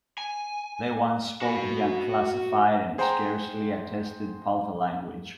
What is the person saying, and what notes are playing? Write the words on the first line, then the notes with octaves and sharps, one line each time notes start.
They once spoke the unclassified and scarcely attested Palta language.
G#5
F#4 B5
G#4 C5 F#5 G5 A#5